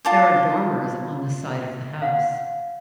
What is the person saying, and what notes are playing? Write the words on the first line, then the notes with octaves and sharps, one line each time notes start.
There are dormers on the side of the house.
F4 A5 D6
F5 F#5